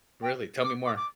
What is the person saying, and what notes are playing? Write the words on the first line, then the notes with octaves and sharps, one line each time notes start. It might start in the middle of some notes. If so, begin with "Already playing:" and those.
Really? Tell me more.
G5
D6
D6
D6